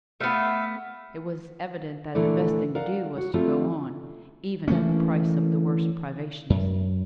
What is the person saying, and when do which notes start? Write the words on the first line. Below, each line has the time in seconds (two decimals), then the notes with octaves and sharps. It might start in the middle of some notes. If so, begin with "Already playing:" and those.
It was evident that the best thing to do was to go on, even at the price of the worst privations.
0.20 A3 B3 E5 F5
2.15 A#2 D3 E3 A3 D5
2.75 A#4 D5 F5 F#5
3.18 F#4
3.34 F3 G3 A3 C4 F4
4.68 E3 A3 A#3 C#4
6.50 F#2